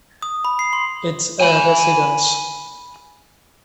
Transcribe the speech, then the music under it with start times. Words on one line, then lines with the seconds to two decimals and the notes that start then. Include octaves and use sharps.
It's a Residence.
0.22 D#6
0.45 B5
0.59 C7
0.73 C6
1.41 G#5 B5